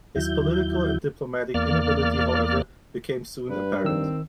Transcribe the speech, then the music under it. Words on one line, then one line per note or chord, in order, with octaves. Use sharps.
His political and diplomatic inability however became soon apparent.
D#2 F#3 E4 G6
E2 A#3 D5 F6
G2 B4
D#3 C4 E6